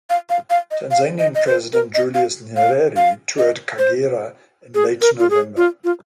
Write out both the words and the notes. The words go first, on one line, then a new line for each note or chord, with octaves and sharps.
Tanzanian President Julius Nyerere toured Kagera in late November.
F5
F5
F5
D#5
F5
D#5
D#5
C5
A#4
D#5
F5
F5
F5
D#5
C5
G#4
A#4
F4
G#4
F4
F4